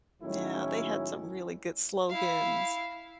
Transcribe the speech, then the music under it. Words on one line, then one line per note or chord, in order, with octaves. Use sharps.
Yeah, they had some really good slogans
A2 D#3 F#3 G#3 C#4 E4
E4 F5